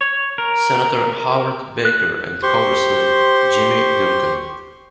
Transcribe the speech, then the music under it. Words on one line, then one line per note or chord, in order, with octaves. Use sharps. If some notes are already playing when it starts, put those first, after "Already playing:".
Senator Howard Baker and Congressman Jimmy Duncan.
C#5
A#4
F#6
G4 C5 C6 C#6